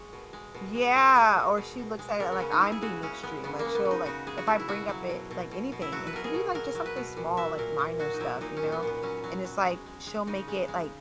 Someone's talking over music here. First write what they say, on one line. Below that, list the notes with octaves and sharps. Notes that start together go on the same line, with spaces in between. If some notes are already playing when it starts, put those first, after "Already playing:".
Yeah, or she looks at it like I'm being extreme, like she'll like if I bring up it like, anything, it could be like just something small like minor stuff, you know, and it's like she'll make it like
Already playing: G#3 C#5
B2
G#3
B2
G#3
B2 C#5
G#3
B2
B2
B2
G#3
C#3 A#4
B3
C#3 C#4
D#4
C#3 E4
G#4
G#3 F#4
G#3 C#4
G#3 B3
C#3 B3
A#3
G#3
B3
C#3
D#4
C#3 F#4
G#3 G#4
F#4
C#3 E4
E4
B2 F#4
F#3
B2
B2
B2
B2
E4
F#3 F#4
B4
B2 A#4
G#4
B2
F#3 A#4
F#3
B4
B2
A#2
F#3 E5
A#2 A#4
A#2
F#3 F#4
D#4
F#3 E4
A#2 D#4
C#4
A#2
B3
A#2 B3
F#3 C#4
F#3
F#3
G#3
G#3
G#3
C#3 D#4
G#3
G#3